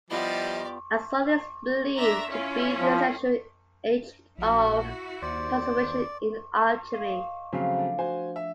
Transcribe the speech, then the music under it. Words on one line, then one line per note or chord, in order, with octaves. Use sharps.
Azoth is believed to be the essential agent of transformation in alchemy.
F3 G3 B3 E4 F4 G4 D5 D#5
D4 E5 A#5
C#4 E4 F4
F3
A#1 E4 F#4
D#2 C5 D5
D#5 F5
C#3 F3 F#3 A3 C4 F5
D4
F#4 C5 G#5
E5